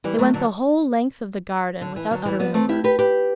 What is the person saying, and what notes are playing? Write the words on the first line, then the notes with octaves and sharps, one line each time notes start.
They went the whole length of the garden without uttering a word.
E3 G3
F#3 A3
D3 F#3
D3
E3
D3 F#3
E3 G3
G3 B3
A3 C4
E4 G4
G4 B4
G4 B4